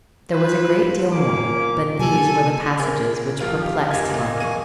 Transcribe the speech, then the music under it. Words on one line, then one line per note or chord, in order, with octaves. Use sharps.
There was a great deal more, but these were the passages which perplexed Larkin.
E4 F4 B4 C5
A#2 A#3 C#4 D6
C3 F#3 A#3 G4 A4 G#5
C#4 G#4 A#4 E5
F1 A#2 F3 F#3 F5 F6
G4
F#1 A#3 G4 D#5 G#5 G#6
F#2 A2
D#3 G#4 C#6 D#6 D#7